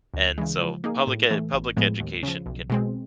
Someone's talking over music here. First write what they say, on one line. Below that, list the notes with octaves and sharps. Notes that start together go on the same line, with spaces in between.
and so public ed public education can
D2
C#3 E3 G#3
F3
A#3 D#4 G#4
A2
E3 A3
A1
A2 F3 G#3 B3
D#2
C#3 F3
B1
B2 G#3 C4